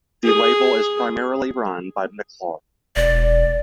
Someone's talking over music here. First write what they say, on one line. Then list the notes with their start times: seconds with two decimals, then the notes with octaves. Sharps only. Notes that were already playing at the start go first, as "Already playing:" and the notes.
The label is primarily run by McClard.
0.24 G#4
2.96 E1 D5